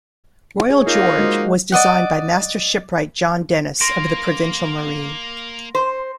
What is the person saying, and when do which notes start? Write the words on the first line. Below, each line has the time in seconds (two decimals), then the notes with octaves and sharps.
"Royal George" was designed by Master Shipwright John Dennis of the Provincial Marine.
0.70 G#4 C#5
0.87 A#3 D#4 F4
1.19 G#3 F#4 C5
1.72 D5 D#5 F#5
3.81 A#3 C6 A#6 D7
5.75 C5